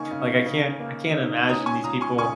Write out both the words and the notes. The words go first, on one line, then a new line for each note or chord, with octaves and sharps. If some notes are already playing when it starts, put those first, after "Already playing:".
like, I can't I can't imagine these people.
Already playing: C#3 A#3 D#4 G#5 C#6
C#3
C#3
A#3
D#4
C#4 A#5 D#6
G#5 C#6
C#2 A#5 D#6
G#5 C#6
C#3 G#5 C#6